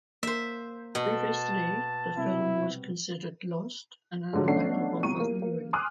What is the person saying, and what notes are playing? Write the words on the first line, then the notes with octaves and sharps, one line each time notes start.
Previously, the film was considered lost and unavailable for viewings.
A#3 A#4 C5 E5
B2 A5
C3 G3 C4 E4
G#2 D3 F#3
B1 A3 C#4 D4 F#5 C7
G1 C2 C#6 D#7
A#3
A#3
G#5 C6 D6 D#6 F6 F#6